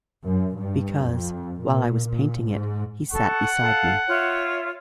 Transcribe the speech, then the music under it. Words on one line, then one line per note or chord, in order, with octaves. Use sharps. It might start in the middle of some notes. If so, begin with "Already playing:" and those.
Because, while I was painting it, he sat beside me.
F#2
G2
F2
A#2
A#2
G#2
A4 F#5 C#6
A4 F5
F4 C#5 E5